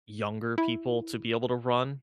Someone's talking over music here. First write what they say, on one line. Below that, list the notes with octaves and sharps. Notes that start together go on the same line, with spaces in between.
Younger people to be able to run,
E4